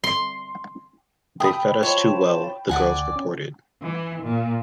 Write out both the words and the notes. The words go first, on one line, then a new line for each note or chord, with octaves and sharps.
"They fed us too well," the girls reported.
C6
A4 G5 B5 D#6
F4 C5 C#5 A5
D2 D5 F#5 G#5
C#4
E3
A#2